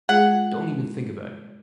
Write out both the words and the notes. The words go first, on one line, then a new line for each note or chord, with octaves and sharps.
Don't even think about it!
G#3 F4 G#4 F#5